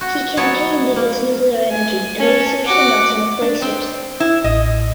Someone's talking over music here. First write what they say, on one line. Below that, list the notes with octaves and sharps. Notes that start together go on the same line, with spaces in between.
He campaigned against nuclear energy and researched the melting of glaciers.
F#4
F#3 B3 C#5 A5
A#3
G#5
C#4 A5
F#4 D6
D4
C4
E4
A1 D#5